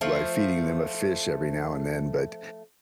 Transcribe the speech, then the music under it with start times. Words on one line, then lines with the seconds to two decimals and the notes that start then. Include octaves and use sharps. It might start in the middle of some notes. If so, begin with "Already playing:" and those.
by feeding them a fish every now and then, but
0.01 F3 A3